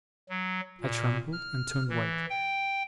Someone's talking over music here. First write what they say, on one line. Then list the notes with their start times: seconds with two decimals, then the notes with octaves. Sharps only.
I trembled, and turned white.
0.29 F#3
0.81 A#2
1.33 F6
1.89 E3
2.30 G5